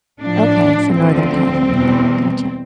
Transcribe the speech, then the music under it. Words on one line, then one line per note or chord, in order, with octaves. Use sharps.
Okay, so, Northern California. Gotcha.
A2 F3 D4
D2 D3 F3 C4
E2 B2 G3